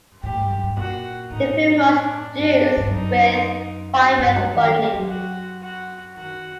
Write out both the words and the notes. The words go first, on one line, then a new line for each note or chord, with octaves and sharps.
The film was produced with private funding.
A2 G4
G2
F#2
G2
A#2 F#4
A2 D#4
D4
G2 D4
F#2
G2
F#2
D#4
G2 F#4
G2
F#3
D#3 G4
F#3
G3
F#3
F#4
F#4
D#3 F#4